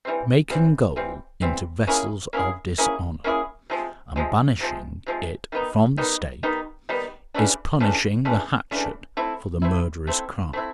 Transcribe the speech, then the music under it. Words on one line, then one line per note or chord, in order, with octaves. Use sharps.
Making gold into vessels of dishonour and banishing it from the State is punishing the hatchet for the murderer's crime.
E3 G3 C4
E3 G3 C4
E3 G3 C4
E3 G3 C4
A#3 C#4 E4 G#4
A#3 C#4 E4 G#4
A#3 C#4 E4 G#4
A#3 C#4 E4 G#4
C3 F3 G#3
C3 F3 G#3
C3 F3 G#3
C3 F3 G#3
D#3 G3 B3 D#4
D#3 G3 B3 D#4
D#3 G3 B3 D#4
D#3 G3 B3 D#4
C#3 E3 A3 D4
C#3 E3 A3 D4
C#3 E3 A3 D4
C#3 E3 A3 D4
A3 C4 E4
A3 C4 E4
A3 C4 E4
A3 C4 E4